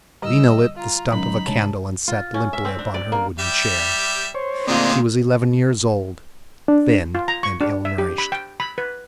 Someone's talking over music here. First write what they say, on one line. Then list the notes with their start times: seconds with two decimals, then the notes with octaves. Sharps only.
Lena lit the stump of a candle and sat limply upon her wooden chair. She was eleven years old, thin and ill-nourished.
0.22 D3 G3 G4 D#5 E6
0.76 F4 A#5
1.12 D3 F#3 G#3 C#4 D#4 B5
1.48 C3 G#3 D4 C#5 A5
2.08 F4
2.34 C#4
2.53 E5
2.65 C4
2.79 D4
2.94 D5
3.12 A#3
3.39 G3 G4 E5
4.35 C5 C#5
4.67 D2 A#2 D3 D#3 G#3 C4 F4 D5
6.68 D4
7.15 F4
7.28 A#5
7.43 C#6
7.61 D4
7.85 E5
7.98 G4
8.18 B5
8.32 G5
8.60 B5
8.78 B4